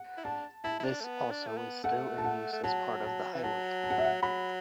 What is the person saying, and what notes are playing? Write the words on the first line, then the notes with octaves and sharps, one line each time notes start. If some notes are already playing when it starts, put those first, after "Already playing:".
This also is still in use as part of the highway.
Already playing: F#5
E4
D4 A5
E4 A5
E4
D4
A3
B3
D4
A3
B3
A3 F#5
A5
F#5
A3
F#3 A5
A5
E3
F#3 A5
A5
F#5
E5
F#5
F#3 B5